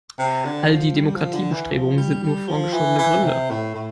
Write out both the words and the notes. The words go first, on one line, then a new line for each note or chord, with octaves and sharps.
All die Demokratiebestrebungen sind nur vorgeschobene Gründe.
C3
D3
F3
G3
F3
D3
E3
F3
G3
G3
F3
E3
E3
C3
A2
A2